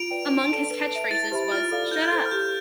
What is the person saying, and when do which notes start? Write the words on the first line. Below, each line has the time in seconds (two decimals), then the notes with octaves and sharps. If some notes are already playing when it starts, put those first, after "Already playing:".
Among his catchphrases was Shut Up!!
Already playing: F4 D7 F7
0.11 B4 D5 G5
0.31 D4
0.51 A4 D5 A5
0.70 B4
0.91 E5 A5
1.11 E4 A6
1.31 G4 C5 E5 B5
1.51 F4 F6
1.71 A4 D5 F5
1.91 E4 G6
2.12 A4 C5
2.26 F6
2.31 G4 G6